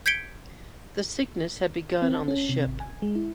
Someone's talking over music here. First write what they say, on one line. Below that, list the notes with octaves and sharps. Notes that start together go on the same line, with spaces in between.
The sickness had begun on the ship.
G6 G#6 B6 C#7 D7 G7
C4
A5
C#4
C3
G#1
G#5
G#3
E4